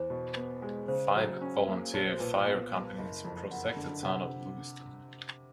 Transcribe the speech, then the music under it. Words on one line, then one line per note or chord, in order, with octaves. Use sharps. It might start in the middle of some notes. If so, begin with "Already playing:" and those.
Five volunteer fire companies protect the Town of Lewiston.
Already playing: E2 C5
B2
B3
G#3
C#3 C5
F#3
C#4
A#3
B1 C#5
C5
A#2 B4
B4
B3
G3
F#1 D#5
F2
F#1 F#5
D3
C3 F#5